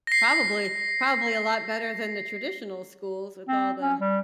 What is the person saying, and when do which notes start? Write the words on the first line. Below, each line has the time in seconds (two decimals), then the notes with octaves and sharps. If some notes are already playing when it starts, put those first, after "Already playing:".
probably probably a lot better than the traditional schools with all the
0.07 A#6 C7
3.48 C4
3.81 C#4
4.01 G3